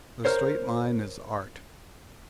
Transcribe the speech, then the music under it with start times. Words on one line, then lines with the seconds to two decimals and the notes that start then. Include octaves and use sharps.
The straight line is Art.
0.25 A#4 C5 C#5